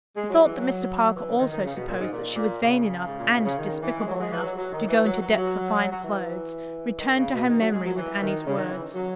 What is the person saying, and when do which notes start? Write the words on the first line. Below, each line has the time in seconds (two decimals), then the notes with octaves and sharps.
The thought that Mr. Parker also supposed that she was vain enough and despicable enough to go into debt for fine clothes returned to her memory with Annie's words.
0.17 G#3
0.30 F#3
0.45 E3
0.58 F#3
1.15 E3
1.29 C#3
1.40 D#3
1.52 D#3
1.64 C#3
1.75 B2
1.88 A#2
1.99 G#2
2.13 A#2
2.36 A#2
2.61 C#3
3.07 G#2
3.20 A#2
3.33 B2
3.45 C#3
3.59 D#3
3.83 E3
3.98 G#3
4.07 F#3
4.20 G#3
4.31 E3
4.43 F#3
4.56 F#3
4.72 D#3
4.88 E3
5.04 F#3
5.21 F#3
5.38 F#3
5.92 F#3
6.02 E3
6.99 D#3
7.16 C#3
7.32 B2
7.49 D#3
7.61 F#3
7.72 G#3
7.85 F#3
7.97 E3
8.22 D#3
8.46 C#3
8.57 D#3
8.70 E3
8.95 F#3